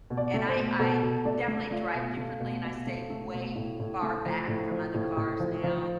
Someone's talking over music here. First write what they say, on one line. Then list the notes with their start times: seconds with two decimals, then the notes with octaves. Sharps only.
And I I definitely drive differently and I stay way far back from other cars now.
0.10 B2
0.17 D5
0.34 A3
0.49 C5
0.56 B2
0.79 B2 A4
1.02 B2
1.25 A3 D5
1.48 A3
1.71 A3 F4
1.94 B2
2.17 A3
2.40 B2
2.64 B2
2.87 A3
3.10 A3
3.33 B2
3.55 A2
3.80 A2
4.02 A3
4.26 F3
4.48 A2
4.71 F3
4.94 A2
5.17 A2
5.40 F3
5.63 F3